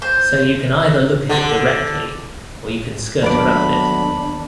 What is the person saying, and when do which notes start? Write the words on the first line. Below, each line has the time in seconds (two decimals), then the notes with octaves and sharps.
So you can either look at it directly or you can skirt around it.
0.02 C5
1.29 D3
3.22 D#2 F#3 A3 B3 D4 D5 B5